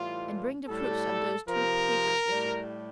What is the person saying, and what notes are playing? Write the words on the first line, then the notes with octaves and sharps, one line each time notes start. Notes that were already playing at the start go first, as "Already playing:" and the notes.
And bring the proofs of those two papers with you.
Already playing: A2 E3 G3 F4
A2 G3 A4
C3 F3 A#4
A2 G3